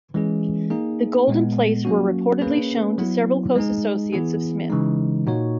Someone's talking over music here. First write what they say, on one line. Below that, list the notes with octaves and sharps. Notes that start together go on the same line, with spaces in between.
The golden plates were reportedly shown to several close associates of Smith.
E3 G#3 C#4 G#4
A#3 D#4 G#4
A#2 G#3 B3
F#3 A#3 C#4 F#4
A#3 C#4 G#4 B4
F#3 B3 E4
G#3 D#4 G#4
E3 B3 E4 G#4
C#3 E3 G#3 D#4
A#2 A#3 D#4 F#4 C#5